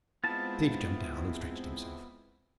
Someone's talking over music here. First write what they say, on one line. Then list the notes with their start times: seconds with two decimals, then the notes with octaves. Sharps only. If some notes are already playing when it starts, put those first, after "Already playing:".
Steve jumped down and stretched himself.
0.24 G#3 B3 C4 E4 F4 A5 A6